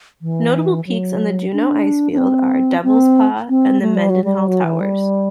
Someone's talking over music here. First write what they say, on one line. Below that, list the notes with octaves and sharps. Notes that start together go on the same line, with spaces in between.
Notable peaks on the Juneau Icefield are Devils Paw and the Mendenhall Towers.
E3
F#3
D4
D4
C4
C4
C4
A3
G3
F#3
G3
F#3
E3
G3